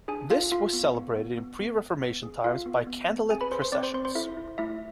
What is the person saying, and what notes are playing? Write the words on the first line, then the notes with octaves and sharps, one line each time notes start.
This was celebrated in pre-Reformation times by candlelit processions.
D4 G#4 G#5
F4 A4 F5
F4 A4 F5
B3
B3
B3
B3
B3
B3
B3
G#4
F4 A4 F5
B3
B3
B3
C4 G#4 G#5
B4 B5
G#4 C5 C6
C5 C6
C4 D5 D6
C5 C6
C4 C5 C6
C5 C6
E4 A4 E5
E4
A3 E4 E5